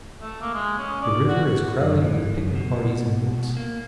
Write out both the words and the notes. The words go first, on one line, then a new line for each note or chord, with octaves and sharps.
The river is crowded with picnic parties in boats.
A3
A#3
G#3
C#4
D5
F#4
F#2
E3
F#2
B2
A#3